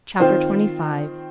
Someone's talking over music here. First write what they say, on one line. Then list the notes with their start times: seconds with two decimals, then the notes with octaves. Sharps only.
Chapter XXV.
0.20 D#3 C4 F4 C5